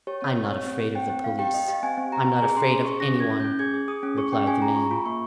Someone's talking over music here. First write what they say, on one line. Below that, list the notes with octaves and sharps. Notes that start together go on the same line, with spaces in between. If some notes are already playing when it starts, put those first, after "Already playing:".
"I'm not afraid of the police--I'm not afraid of anyone!" replied the man.
G4 C#5
C4 C#5
G4 C#5
C4 C#5
C4
C4
C4 G5
C4
C4 F5
G4 G5
G4 D#5
G4 F5
C4 G#5
C4
G4 A#5
C4
A#5
G#4 G#5
C#4 C6
G#4
G#4 C#6
C#4 A#6
C#4 G#6
C#4
G6
C#4
G#4 G#6
G#4
G#4 D#6
C#4
G#4 C#6
C#4 G5
C#4 G#5
G#4 A#5
F4 C#6
F4
A#3 C#6